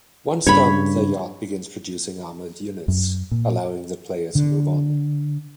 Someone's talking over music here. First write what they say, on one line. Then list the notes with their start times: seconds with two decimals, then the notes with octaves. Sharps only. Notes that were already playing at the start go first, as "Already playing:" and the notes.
Once done, the Yard begins producing armored units, allowing the player to move on.
0.47 G2 C#3 C#5 B5
2.88 F#2
3.31 A#2
4.35 D3